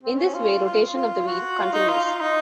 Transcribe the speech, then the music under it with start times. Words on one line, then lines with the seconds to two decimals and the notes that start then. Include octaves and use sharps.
In this way rotation of the wheel continues.
0.03 C4
0.19 C#4
0.34 F4
0.65 F4
0.96 F4
1.27 F#4
1.58 F4
1.73 D#4
1.89 F4
2.05 F4
2.21 D#4